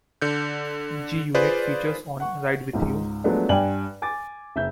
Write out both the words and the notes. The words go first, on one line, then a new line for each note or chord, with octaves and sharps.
G-Unit features on "Ride Wit U".
D3 G6
F4 G#4 B4 C5 D5
F#5 C#6
C#2 G#2
F3 F#3 G#3 A3 B3 D4
G2 D5 G5 G#5 F#7
G#5 D6 A6
F#1 E5 G6